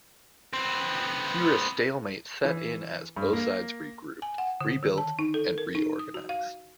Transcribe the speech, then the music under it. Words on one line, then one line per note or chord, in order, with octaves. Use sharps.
Here a stalemate set in as both sides regrouped, rebuilt and reorganised.
B3 C4
E3
G2
A#3
G#5
F#5
D3
D#3
A5
D#4
A4
A#4
D#4
D#6
F#4
F5